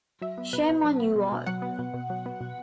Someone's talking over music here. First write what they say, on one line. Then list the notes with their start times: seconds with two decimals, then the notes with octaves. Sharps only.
Shame on you all.
0.22 F#3 E5
0.38 B3
0.53 B2 B4
0.69 B2
0.85 F#3
1.00 B3
1.16 B2
1.32 B2
1.46 F#3 F#5
1.62 B3
1.79 B2
1.94 B2
2.10 F#3
2.26 B3
2.41 B2